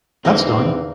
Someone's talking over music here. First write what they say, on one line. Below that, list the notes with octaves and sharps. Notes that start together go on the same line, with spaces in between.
That’s done.
E2 D3 A#3 C4 D#4 A#4